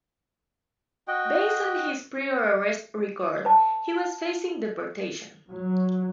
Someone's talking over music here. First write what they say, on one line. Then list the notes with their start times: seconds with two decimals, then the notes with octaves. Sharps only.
Based on his prior arrest record, he was facing deportation.
1.08 F#4 D#5 G5
3.45 B4 A5
5.51 F#3